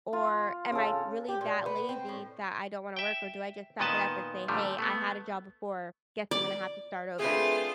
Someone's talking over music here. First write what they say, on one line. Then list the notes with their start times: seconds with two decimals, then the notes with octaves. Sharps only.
or am I really that lazy that I don't wanna work, or do I just suck it up and say, "Hey, I had a job before, guess I'm gonna have to start over."
0.13 F4
0.72 C#3 A4
1.29 G4
1.41 A#2
1.66 B3
1.89 C4
2.09 A2
2.96 E5 G5
3.79 A#2 D#3 B3 B4 D#5 A5
4.48 A#2 D3 F3 G3 A3
4.78 A3 B3
6.31 D5
7.19 A3 C4 D4 F4 G#4 B4 A6